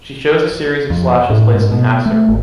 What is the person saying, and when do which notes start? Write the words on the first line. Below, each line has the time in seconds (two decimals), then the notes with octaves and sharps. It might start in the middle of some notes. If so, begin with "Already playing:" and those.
She shows a series of slashes placed in half-circle.
0.90 F2
1.30 A2
1.55 G#2
1.71 B2
2.06 A3
2.29 G#1